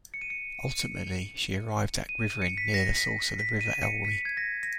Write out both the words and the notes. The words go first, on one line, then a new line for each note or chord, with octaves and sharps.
Ultimately she arrived at Gwytherin near the source of the River Elwy.
C#7
D#7
C#7
C#7
D#7
C#7
B6
A#6
B6
B6
D#7
C#7
B6
G#6
A#6
A#6